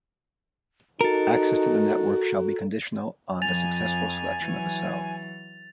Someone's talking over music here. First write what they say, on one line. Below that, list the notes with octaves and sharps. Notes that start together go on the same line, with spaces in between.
Access to the network shall be conditional on the successful selection of a cell.
D#4 F#4 A4 A#4
F2 F3 G#5 A6 F7
E3 F#3